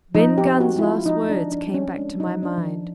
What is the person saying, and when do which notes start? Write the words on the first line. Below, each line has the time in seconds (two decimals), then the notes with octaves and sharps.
Ben Gunn's last words came back to my mind.
0.15 F3 D#4
0.38 G4
0.45 C4
0.60 F#4
0.76 G#3 E4
0.83 F4
1.06 F3 D#4
1.29 D4
1.36 F3
1.52 D4
1.67 C4
1.74 C#4
1.97 G#3 D4
2.20 D#4
2.27 F3
2.43 D4
2.58 F3